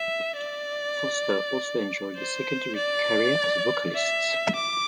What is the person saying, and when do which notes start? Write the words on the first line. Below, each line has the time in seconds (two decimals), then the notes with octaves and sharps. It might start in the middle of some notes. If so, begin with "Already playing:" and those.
Foster also enjoyed a secondary career as a vocalist.
Already playing: E5
0.37 D5
2.17 C5
2.76 D5
3.95 E5
4.56 D6